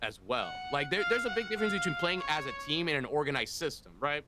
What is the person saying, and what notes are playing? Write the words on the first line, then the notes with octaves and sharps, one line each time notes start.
as well. Like, there there's a big difference between playing as a team in an organized system, right?
F#5
F5
F#5
F5
C#5